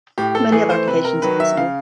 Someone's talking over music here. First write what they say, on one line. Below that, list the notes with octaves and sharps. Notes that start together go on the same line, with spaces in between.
Many other applications are possible.
A2 G4
A4
E3 A3 G#4
C5
C3 B4
A#4
D#3 F#3 B4
E5
C#3 F5